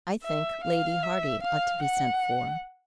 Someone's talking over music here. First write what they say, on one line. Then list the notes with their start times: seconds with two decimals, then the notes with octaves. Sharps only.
"I think Lady Hardy ought to be sent for."
0.24 E5
0.64 F5
1.03 E5
1.43 F5
1.82 F#5